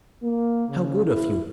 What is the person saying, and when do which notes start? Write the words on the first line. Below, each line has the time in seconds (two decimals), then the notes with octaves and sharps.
"How good of you!"
0.23 A#3
0.69 C#3
1.05 E4